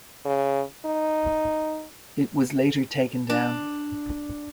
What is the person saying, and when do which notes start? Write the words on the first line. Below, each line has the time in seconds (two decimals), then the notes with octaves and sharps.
It was later taken down.
0.25 C#3
0.86 D#4
3.30 D4